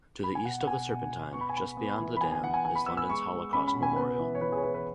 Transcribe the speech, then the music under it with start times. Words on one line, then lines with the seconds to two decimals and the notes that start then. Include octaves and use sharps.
To the east of the Serpentine, just beyond the dam, is London's Holocaust Memorial.
0.24 B5
0.35 G#5
0.45 B2 F#5
0.61 F#5
0.67 B2 G#5
0.90 B2
1.11 B2
1.33 B3 C#6
1.41 B5
1.49 G#5
1.55 B3 B5
1.77 B3
2.00 E3
2.17 B5
2.21 B3 G#5
2.32 G#5
2.43 E3 F#5
2.54 G#5
2.64 E3 G#5
2.75 B5
2.86 B3 E6
2.97 E6
3.09 G#3 C#6
3.31 G#3
3.53 C#4 B5
3.67 B5
3.74 B2
3.83 G#5
3.96 B3 B4
4.19 E3
4.35 C#5
4.40 E3 B4
4.52 G#4
4.58 C#5
4.62 E3 B4
4.74 B4